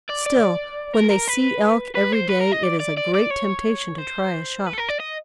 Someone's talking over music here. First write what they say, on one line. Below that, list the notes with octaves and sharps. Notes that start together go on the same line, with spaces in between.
Still, when they see elk every day it is a great temptation to try a shot.
D5
D5
A#4
A#4
B4
B4
C5
B4
A#4
D#5
D5
D5
D5
D5
C#5
C5
B4
A4
A#4
D5
D#5